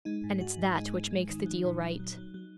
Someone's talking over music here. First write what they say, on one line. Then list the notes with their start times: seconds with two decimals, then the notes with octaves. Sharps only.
And it's that which makes the deal right.
0.05 G#3 D#4
0.24 G#2
0.41 G#2 F#4
0.59 G#2
0.76 G#3 D#4
0.93 G#3
1.11 G#3
1.30 D#3
1.46 F#3
1.65 A#2
1.81 F#3
2.00 F#3
2.17 F#3
2.34 F#3